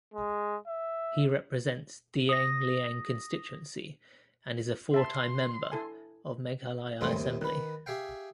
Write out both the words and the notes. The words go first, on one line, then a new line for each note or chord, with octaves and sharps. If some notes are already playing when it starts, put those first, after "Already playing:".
He represents Dienglieng constituency and is a four-time member of Meghalaya Assembly.
G#3
E5
D#6 A#6
E5 A5 C6
E4 A4 G#5
E2 G2 D#3 G#3 A3 C4
D#2 C3
D#3 B4
G4 G#4 E5 F5 G5